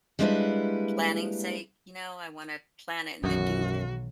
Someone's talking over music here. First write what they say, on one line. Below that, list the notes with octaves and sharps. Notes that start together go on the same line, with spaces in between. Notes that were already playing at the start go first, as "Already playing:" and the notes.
planning sake, you know, I want to plan it and then do it.
G3 G#3 A#3 D4 E4 B4
B1 F#2 B2 D#3 E3 F#4